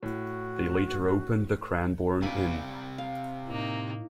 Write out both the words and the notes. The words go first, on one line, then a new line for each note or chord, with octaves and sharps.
They later opened the Cranbourne Inn.
A2 F#4
C3 D5 F5 G#5 B5
F5
A2 A#3 D#4